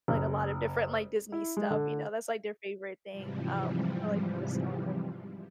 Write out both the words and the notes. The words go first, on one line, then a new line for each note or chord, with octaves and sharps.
like, a lot of different, like, Disney stuff, you know, that's, like, their favorite thing, um, for, like, the nostalgia.
F#1
E4
G#3
D3
G#2 C3 E3 F3 G3